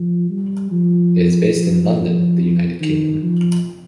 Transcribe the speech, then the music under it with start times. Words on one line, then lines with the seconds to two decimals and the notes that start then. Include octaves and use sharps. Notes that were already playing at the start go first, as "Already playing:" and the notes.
It is based in London, the United Kingdom.
Already playing: F3
0.30 G3
0.71 F3
1.55 F3
1.97 F3
2.81 D#3
3.22 F3